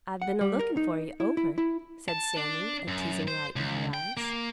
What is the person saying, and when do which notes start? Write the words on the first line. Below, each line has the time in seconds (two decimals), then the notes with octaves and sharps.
"I've been a lookin' for you over," said Sammy, a teasing light in her eyes.
0.22 F#5
0.41 G3
0.59 A#4
0.77 D#4
1.20 E4
1.37 E4
1.58 E4
2.08 A5
2.37 D4
2.88 F#2
3.28 C5
3.56 C#2
3.94 G5
4.17 A#3